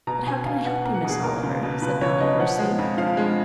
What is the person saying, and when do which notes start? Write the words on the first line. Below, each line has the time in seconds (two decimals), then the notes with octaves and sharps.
"But how can I help you, Miss Oliver?" said Alan hoarsely.
0.07 B2 A#5
0.26 B2 G#5
0.46 B2 F5
0.65 B2 F#5
0.85 A#3
0.94 F#5
1.04 B2 G#4
1.23 A#3 A#4
1.43 C#2
1.63 B2
1.82 C#2 B4
2.01 C#2 C#5
2.20 B2 D#5
2.40 F3 F#5
2.59 G#3
2.78 F2
2.98 F3 F5
3.17 G#3